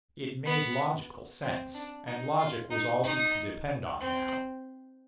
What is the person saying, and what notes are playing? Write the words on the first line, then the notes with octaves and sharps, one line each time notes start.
It made logical sense--and logic was all he could depend on now.
B3
C4
D4
D#4
F4
D#4
D#4
C4